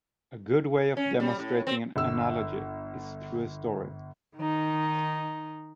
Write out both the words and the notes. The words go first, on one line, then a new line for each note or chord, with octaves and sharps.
A good way of demonstrating an analogy is through a story.
C#4
G3
A2
C4
G1 E6
D#3 D#4